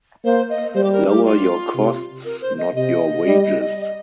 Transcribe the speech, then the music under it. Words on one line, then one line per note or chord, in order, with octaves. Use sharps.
Lower your costs, not your wages.
A#3 C5
D#5
G3 C5
G4
A#4
G4
F4
C3
A#4
C5
D#5
C3 D#5
G3